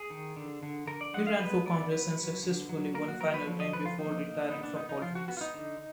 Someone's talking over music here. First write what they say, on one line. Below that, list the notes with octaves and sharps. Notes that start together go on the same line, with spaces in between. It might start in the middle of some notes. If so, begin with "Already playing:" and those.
He ran for Congress unsuccessfully one final time before retiring from politics.
Already playing: G#4
D#3
D3
D3
D3 A#4
D5
G#3 F#5
F5
B3 B4
B3 D5
F#3 B4
F#3
D3
F#3
A#3 A#4
F#4
F#3 A#4
B4
F3
D#5
F3 B4
F4
A#3 D#4
A#3
B3 D#4
D4
B3 D#4
D#4
F3 F4
F#4
B3 F#4
F4
D#4
D3